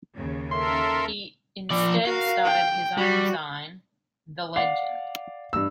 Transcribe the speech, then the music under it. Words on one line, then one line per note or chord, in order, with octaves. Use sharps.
He instead started his own zine, The Legend!
D#2 C#3
A4 A#4 E5 C6
F3 D5
F#4 A#4 F5
G5
G3 F#4
D5 F5 F#5
G2 E6